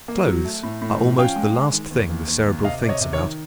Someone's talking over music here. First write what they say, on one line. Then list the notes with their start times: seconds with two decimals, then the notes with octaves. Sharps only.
Clothes are almost the last thing the Cerebral thinks about.
0.08 A#3
0.27 F#3
0.45 A3
0.63 A2
0.81 A2
0.99 F3
1.18 C#4 F5 G5
1.36 G#3
1.55 G#3
1.73 D#3
1.91 D#2
2.09 D#2
2.28 D#2
2.46 D#2
2.64 C3 D#5 F5
2.83 C3 D5
2.89 C#5 D#5
3.01 C3
3.13 C#5
3.20 D#3